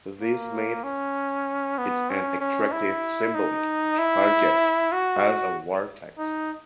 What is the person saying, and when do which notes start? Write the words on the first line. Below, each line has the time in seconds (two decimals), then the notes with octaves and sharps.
This made it an attractive symbolic target as a "war tax".
0.21 A#3
0.84 C#4
1.78 B3
2.10 C#4
2.41 C#4
2.72 E4
3.35 D#4
3.99 E4
4.92 F#4
6.19 D#4